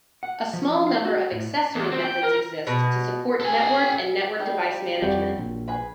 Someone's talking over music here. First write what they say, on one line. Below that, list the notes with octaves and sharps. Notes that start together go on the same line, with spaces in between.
A small number of accessory methods exist to support network and network device management.
F#5
F3
F5
F#4
A2
E2
C4 C5
G5
A#4
B2
A4 G#5
G3 D#4
F2 F#3 G3 G5
A#1
G#4 B4 B5